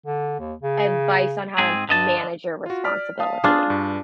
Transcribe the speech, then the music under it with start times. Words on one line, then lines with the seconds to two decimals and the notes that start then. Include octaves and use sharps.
advice on how to manage your responsibilities?
0.06 D3
0.39 D#2
0.62 C#3
1.58 G#2 C4 G#4
1.89 G2 D3 D#5 A5
2.66 F4 F#4
2.84 D5 F6 B6
3.19 F5 A5 D#6
3.44 D4 F4 G#4
3.70 G2